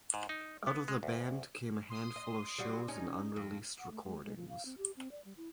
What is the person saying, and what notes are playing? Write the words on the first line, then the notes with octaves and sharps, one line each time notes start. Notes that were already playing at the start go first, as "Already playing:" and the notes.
Out of the band came a handful of shows and unreleased recordings.
G#2
D#4
B3
G#3
D2
C6 D#6
D#5
F#3 G3 F#4
C#4 D#4
F2
F#5
A3
G#3
G#3
F3
F5
C4
G4
C4
D5
G3
E4